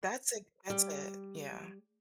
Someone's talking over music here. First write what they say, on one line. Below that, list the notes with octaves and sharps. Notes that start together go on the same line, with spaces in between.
that's it, that's it, yeah.
G3